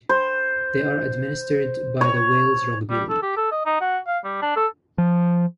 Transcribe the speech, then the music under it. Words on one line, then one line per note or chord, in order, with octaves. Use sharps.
They are administered by the Wales Rugby League.
C5
C#5
G3
A4
G4
A4
D#5
D#4
F#4
F5
G3
D4
A4
F3